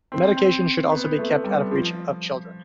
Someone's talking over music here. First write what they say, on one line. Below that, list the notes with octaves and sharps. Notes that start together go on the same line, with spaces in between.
The medication should also be kept out of reach of children.
C4
C4
B3
A3
G3
F3